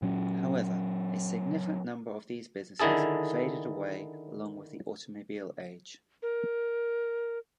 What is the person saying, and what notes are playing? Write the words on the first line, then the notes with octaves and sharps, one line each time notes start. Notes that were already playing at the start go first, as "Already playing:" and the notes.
However, a significant number of these businesses faded away along with the automobile age.
A#2 F#3 C#4
D3 D#3 E4 G#4 A4
A#4